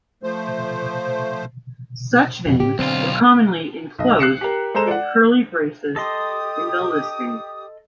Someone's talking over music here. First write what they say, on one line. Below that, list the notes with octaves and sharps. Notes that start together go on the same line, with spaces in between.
Such names were commonly enclosed in curly braces in the listings.
F3 A3 C5
F2 B2
A2 C#3 G4
B1 D3 C4 F4
B1 D#5
F#6 C7 C#7 E7
G4 A#4
G#3 A4 C5 A#5 E7
D5 F#5
G4 A4 D#5 C6 D#6